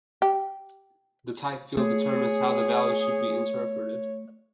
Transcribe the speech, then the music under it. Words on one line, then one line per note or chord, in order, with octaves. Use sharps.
The type field determines how the value field should be interpreted.
G4
A3 G#4 C#5